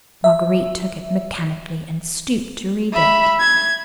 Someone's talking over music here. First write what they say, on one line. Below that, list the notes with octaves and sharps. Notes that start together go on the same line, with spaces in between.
Marguerite took it mechanically and stooped to read it.
E5
E5 B5
G#6